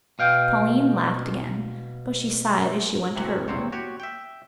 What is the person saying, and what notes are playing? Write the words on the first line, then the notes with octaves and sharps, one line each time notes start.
Pauline laughed again, but she sighed as she went to her room.
B2 F5 G5
A2 C3 E3 F#3 F#4
E2 C3 C4 C5 C#5
F#4 G4 C#5
E5 G5